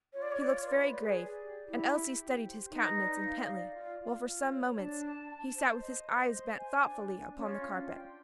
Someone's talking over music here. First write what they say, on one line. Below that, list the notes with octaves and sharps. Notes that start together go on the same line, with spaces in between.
He looked very grave, and Elsie studied his countenance intently while, for some moments, he sat with his eyes bent thoughtfully upon the carpet.
F4 C#5
D5
C#5
F4 D5
C#5
B4 D5
C#5
D5
G#4
D5
G4
E4 G4
G4
G4
C5
D#4 B4
D5
F5
D5
F4
F4
F4
C#5
D4 A5
A5
A5
C5
D#5
C5
C5
G#5
D4
D4
C#4 F4
D4
G5